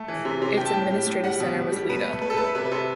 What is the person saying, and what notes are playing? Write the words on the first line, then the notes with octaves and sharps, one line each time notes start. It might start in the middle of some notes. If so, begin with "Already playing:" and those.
Its administrative centre was Lida.
Already playing: A3
E3
C3
C3
G3 G5
A5
A2 G5
G3
A2
G3 F#5
B2
B2
G3
B2 B4
A3
A3 B4
A4
A3 B4
C3 B4
B4
C3 A4